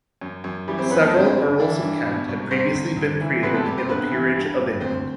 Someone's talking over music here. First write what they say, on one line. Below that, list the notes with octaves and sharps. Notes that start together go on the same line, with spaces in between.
Several Earls of Kent had previously been created in the Peerage of England.
F#2
F#2
E3 G3 G4
C4 C5
F#2 B3 B4
A3 A4
G2 C4 C5
C4 C5
G2
E3 D4 D5
G2
B2
C2
C2 C4 C5
C2
C2
E3
C3 B3 B4
A3 A4
C3 G3 G4
C4 C5
G2 B3 B4
E3
G2
G2
D2 C4 C5